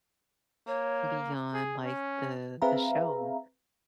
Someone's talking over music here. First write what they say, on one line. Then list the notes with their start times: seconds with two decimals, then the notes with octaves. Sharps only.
beyond, like, the the show.
0.67 A#3 C#5
1.54 G#4
1.83 C#4
2.62 C4 G#4 B4 E5 F5 A#5